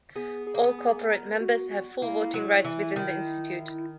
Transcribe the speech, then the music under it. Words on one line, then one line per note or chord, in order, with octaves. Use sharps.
All corporate members have full voting rights within the Institute.
B3 G#4
G#4
A#3
B3
G#4
A#4
F#4
F#4
A#3 E4
F#3
E3
D#3